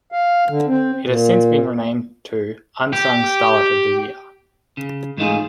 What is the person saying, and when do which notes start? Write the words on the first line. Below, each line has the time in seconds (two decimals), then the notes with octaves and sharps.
It has since been renamed to "Unsung Starlet of the Year".
0.12 F5
0.49 D3
0.67 C4
1.06 A#2
2.93 G4
4.77 C#3
5.17 G#2 E3 A3 D#4 F4 G#4